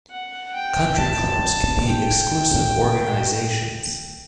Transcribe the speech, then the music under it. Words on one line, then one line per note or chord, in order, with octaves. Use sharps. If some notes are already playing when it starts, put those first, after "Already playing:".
Country clubs can be exclusive organizations.
F#5
G5
A5
G5